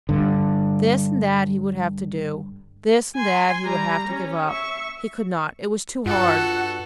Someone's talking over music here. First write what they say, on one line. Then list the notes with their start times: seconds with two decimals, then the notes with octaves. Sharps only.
This and that he would have to do; this and that he would have to give up--he could not: it was too hard.
0.09 G2 D3
3.15 G#5 C6
3.65 G3 A#5
4.08 C#4
4.50 E5 C#6
6.06 G2 F4 F#4 A4 F#5